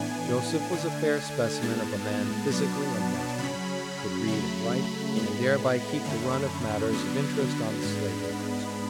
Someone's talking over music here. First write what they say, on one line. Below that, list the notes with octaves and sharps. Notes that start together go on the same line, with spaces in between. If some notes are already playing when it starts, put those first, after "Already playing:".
Joseph was a fair specimen of a man physically and mentally, could read and write, and thereby keep the run of matters of interest on the Slavery question.
Already playing: A2 E3 B3 D4 G#5
D3 A3 D4
A2 G#3 B3 A5
B2 F#3 B3 D4
C#3 F#3 C#4 B5
C#3 F#3 A3
A2 G#3 B3 B5
F#2 D3 A3 C#4
D3 F#3 B3 D4
G#2 G#3 B3 D4